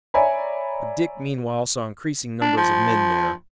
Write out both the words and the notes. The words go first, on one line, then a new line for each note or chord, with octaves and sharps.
But Dick meanwhile saw increasing numbers of men there.
C#5 D5 E5 G#5 A#5 B5
D4
F3